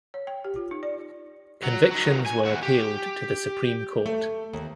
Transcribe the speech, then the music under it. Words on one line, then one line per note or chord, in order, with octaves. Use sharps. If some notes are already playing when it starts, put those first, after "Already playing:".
Convictions were appealed to the Supreme Court.
C#5
G5
G4
F4
D#4
D5
F#3
D#3 F#3
G#5
D#2 F#4
G4
A3
D#2